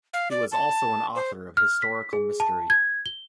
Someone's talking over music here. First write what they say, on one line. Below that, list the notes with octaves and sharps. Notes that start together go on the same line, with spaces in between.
He was also an author of historical mystery.
F5
D5
A5
C5
F6
B6
G#4
A5
G#6
G7